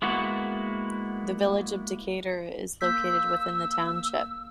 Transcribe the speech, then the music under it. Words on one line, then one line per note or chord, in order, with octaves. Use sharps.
The village of Decatur is located within the township.
G#3 A#3 B3 E4 F#4
A#3 E6 G6 B6